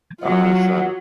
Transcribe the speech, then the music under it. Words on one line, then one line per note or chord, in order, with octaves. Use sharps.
Uh, so
F#3 F4 F#5